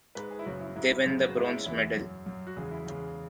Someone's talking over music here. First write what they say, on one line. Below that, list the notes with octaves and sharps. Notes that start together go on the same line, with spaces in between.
They win the bronze medal.
G#2 G#3 B4
G#4
E4
F#2 C#3 F#3 F#4
E4
G#2 F#3 E4
E4
F#2 C#3 G#3
F#4
G#2 G#3 E4
E4
C#4
E2 E3 G#3 E4
F#2 F#3
F#2 F#3
F#4
E2 C#3 G#3 G#4
E4
E2 C#3 G#3